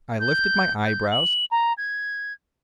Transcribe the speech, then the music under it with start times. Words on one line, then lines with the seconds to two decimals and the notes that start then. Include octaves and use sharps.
I lifted my eyebrows.
0.20 G6
0.86 G6
1.12 F#7
1.51 A#5
1.78 G#6